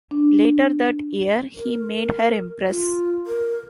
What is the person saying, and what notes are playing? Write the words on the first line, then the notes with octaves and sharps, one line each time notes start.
Later that year, he made her empress.
D4
A#4
F4
A#4